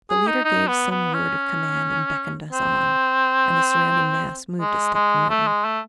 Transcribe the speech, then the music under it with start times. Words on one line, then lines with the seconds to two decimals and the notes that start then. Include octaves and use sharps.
The leader gave some word of command and beckoned us on, and the surrounding mass moved a step nearer.
0.10 G#4
0.27 D#4
0.45 D#4
0.68 B3
0.91 B3
1.14 C#4
2.52 C4
4.61 G#3
4.95 G#3
5.30 A3
5.47 G#3
5.65 A3